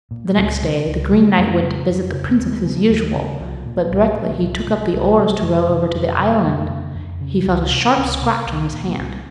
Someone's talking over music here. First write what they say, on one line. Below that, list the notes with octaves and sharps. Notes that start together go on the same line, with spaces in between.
The next day the Green Knight went to visit the princess as usual; but directly he took up the oars to row over to the island he felt a sharp scratch on his hand.
A#2
C#2
C#3
C#2
C#3
G#3
A#3
F2 C4
C#3
F2
C#3
A#3
D#2 G#3
G#3
C#3
F3
D#2
C#3
C2 F3
A#2
C2
A#2
C2 F#3
C3
C2
C3
F2
C3
F2
C3
F2 A#3
C#3
F2
C#3
C#2
C3
C#2 C#4
C3
C2
A#2
A#3
C2 C4